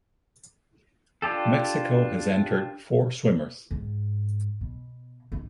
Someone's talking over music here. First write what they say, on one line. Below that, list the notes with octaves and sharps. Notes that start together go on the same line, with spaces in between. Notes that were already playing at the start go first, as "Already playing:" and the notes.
Mexico has entered four swimmers.
D4 F4 G4 A4
G#2
B2
D#4